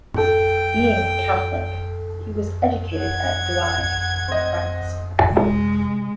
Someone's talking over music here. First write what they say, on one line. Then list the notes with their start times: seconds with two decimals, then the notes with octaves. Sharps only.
Being a Catholic, he was educated at Douai in France.
0.18 A4 G5
2.98 F#5 G#6
4.28 C4 D#5
5.30 C3 G#3